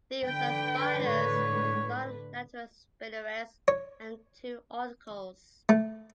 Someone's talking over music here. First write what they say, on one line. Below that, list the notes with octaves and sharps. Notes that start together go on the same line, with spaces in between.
These are spiders with long lateral spinnerets and two articles.
D3 B4 G5
A2 C#5
C#5
A3